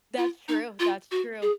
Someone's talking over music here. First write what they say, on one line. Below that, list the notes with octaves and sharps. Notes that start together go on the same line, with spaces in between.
That's true, that's true.
F4
D#4
F4
F#4
G#4